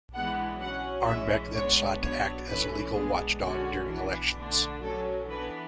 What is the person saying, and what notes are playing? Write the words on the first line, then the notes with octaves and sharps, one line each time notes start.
Arnebeck then sought to act as a legal watchdog during elections.
E3 G#3 B3 D4 F#5
F#3 C#4 F#5
E3 G#3 C#4 E5
G#3 B3 D4 C#5
F#3 B3 D4 C#5
E3 A3 C#4 B4
G#3 B3 D4 G#4
D3 G#3 C#4 F#4
E3 B3 D4
D3 A3 D4
F#3 C#4 A4
E3 B3 D4 B4